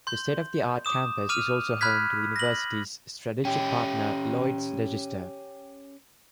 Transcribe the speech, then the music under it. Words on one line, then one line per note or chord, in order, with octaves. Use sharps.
The state-of-the-art campus is also home to the University's strategic partner Lloyd's Register.
C6 G6
D6 D#6 E7
D6 F6 D#7 F7
B5 F6 F#6 G#6 B6
A#6 F#7
C#4 G4 G5